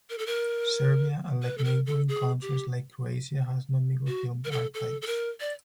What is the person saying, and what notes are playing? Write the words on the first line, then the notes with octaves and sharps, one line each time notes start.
Serbia, unlike neighbouring countries like Croatia, has no microfilmed archives.
A#4
A4
A#4
B4
A4
A#4
A4
G#4
G4
F#4
A#4
A4
A4
A4
A#4
D5